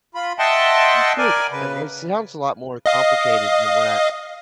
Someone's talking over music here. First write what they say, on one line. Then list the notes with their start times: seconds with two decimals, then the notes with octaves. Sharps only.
You should, I mean, it sounds a lot more complicated than what I
0.15 F4 B5
0.39 D#5 E5 F#5 G5 A5 C6
1.18 A#4 D5 G#5
1.51 C#3 B4
2.86 D#5 F5 D#6